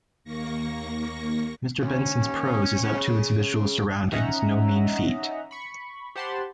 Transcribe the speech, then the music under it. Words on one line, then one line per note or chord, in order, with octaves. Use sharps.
Mr. Benson's prose is up to its visual surroundings, no mean feat.
D#2 A#3 C#6 A#6
D2 C#4
D#2
G#4 C#5
C#4 D#4 D#5 E5 F#5 A#5
B5 C#6
G4 C5 F#5 A5 B5 C6